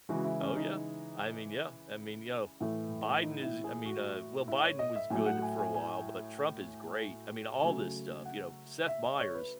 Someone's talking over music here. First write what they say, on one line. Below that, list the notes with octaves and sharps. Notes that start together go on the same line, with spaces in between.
Oh, yeah. I mean, yeah, I mean, you know, Biden is I mean, uh, well, Biden was good for a while, but, Trump is great. I mean, all this stuff, you know, Seth Meyers,
C#3 E3 G#3 F#4
E4
C#4
D#4
A2 E3 A3
D#4
E4
G#4
F#4
E4
C#5
D#5
E5
A2 F#3 A3 G#5
F#5
G#5
G#5
G#5
C#3 F#3 A3 G#5
F#5
E5
D#5
C#5
B4